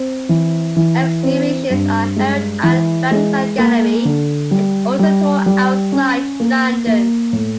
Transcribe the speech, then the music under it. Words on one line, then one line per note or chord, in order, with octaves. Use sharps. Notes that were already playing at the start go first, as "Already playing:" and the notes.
Exhibitions are held at Bankside Gallery and also tour outside London.
Already playing: C4
E3
E3
C4
G2
G#3
E3
G#3
A#3
D3
G3
G3
G3
C#4
A#3
A#3
A2